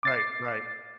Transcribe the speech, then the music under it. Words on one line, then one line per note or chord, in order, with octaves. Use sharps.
Right, right.
D6 A6 C7